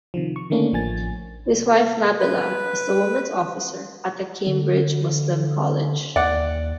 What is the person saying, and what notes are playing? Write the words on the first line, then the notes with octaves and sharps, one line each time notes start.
His wife Nabila is the Women's Officer at the Cambridge Muslim College.
C3 D#3 F3
C#6
D3 D#3 A3 A#3 C#4 D4
A1 F3 G#5 A6
B4
D3
D#2 D5 F#5